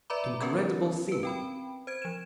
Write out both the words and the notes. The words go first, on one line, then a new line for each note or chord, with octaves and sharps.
Incredible thing!
B4 D5 E5 A#5 B5 D6
B3 C#4 A#4 B4
B4 D7
C4 G5 B5
C5 G#6 D7
F3 E7